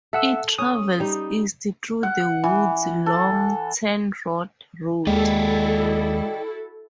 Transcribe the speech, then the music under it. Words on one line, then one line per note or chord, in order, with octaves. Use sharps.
It travels east through the woods along Ten Rod Road.
A4 E5 F#5 E6
C#4 D#6
G3 D#4
F#5
E3
A4
D#2 G#3 E4 F#4 A4 D5 D#5 G5